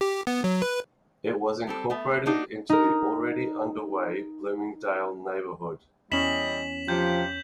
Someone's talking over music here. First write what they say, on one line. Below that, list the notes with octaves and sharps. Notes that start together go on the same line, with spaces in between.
It was incorporated into the already-underway Bloomingdale neighborhood.
G4
B3
F#3
B4
G3 C4 A4
A3 B3
A#3 D4 D#4 F#4
D#4 A#4
E2 G3 C#4 E4 D#5 B6 E7 F#7
C3 F3 F4 G4 G6